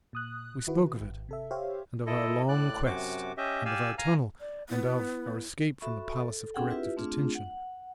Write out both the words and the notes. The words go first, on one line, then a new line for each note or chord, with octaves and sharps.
We spoke of it, and of our long quest, and of our tunnel, and of our escape from the Palace of Corrective Detention.
A#2 D#6 F#6
D#3 E4 F#4 B4
G#1
C3 A4 E5
G4 C5 C#5 E5 F5
E4 A4 D#5
A2 D5 F#6
F#2 C3 F#4 D6
C#4 G4 D#5 E5
G4 D5 F5 G#5 E6
F5 G#5 A#5 F6
D5
B3 E4
F#4 A4 E5 B5 C#6
A4
C4 D4 G#4 A4 F#5 G5
E4 F4 G4 B4 E5
A3 C4 D4 F4 G#4
F#5